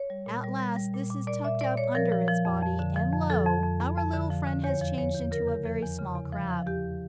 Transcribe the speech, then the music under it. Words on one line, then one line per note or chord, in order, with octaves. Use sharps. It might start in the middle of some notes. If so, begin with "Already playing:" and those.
At last this is tucked up under its body, and lo! our little friend has changed into a very small Crab.
Already playing: C#5
G3
A#2
G3
G3
G3
A#2
A#2
A#2 D5
A#2 E5
A#2 D5
A#2 C#5
F3 A#4
F3
F3
F2
F2
D3
F3
F2
F3 A4
F2
F2
F2
F2
D3
F3
D3
E2 C#5
F3
E2 C#5
E2
C#3 A#4
E2
F3
E2
C#3
E2
F3
F3
E2 G4